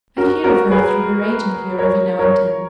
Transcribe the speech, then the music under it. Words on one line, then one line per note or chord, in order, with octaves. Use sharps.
I hear of her through her agent here, every now and then.
F#4 A#4
F#4 A#4
G#4 B4
A#4 C#5
A#4 C#5